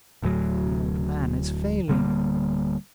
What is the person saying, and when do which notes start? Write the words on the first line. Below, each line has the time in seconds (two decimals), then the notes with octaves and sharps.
"The old man is failing."
0.22 D1 D2 A2 F#3
1.88 D1 D3 G3 A#3